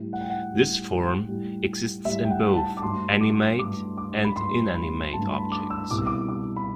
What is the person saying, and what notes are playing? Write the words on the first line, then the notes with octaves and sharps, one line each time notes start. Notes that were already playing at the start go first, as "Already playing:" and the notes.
This form exists in both animate and inanimate objects.
Already playing: A2 G3
F#5
G5
F#5
A2 G3
A2 G3
A2 G3 E5
G5
F#5
A5
D6
G2 F#3 A3 C6
D6
G2 F#3 A3 D6
D6
B5
G2 F#3 A3 C6
B5
G2 F#3 A3 A5
B5
D6
E6
C2 B2 G3 D6
E6
D6
D6
B5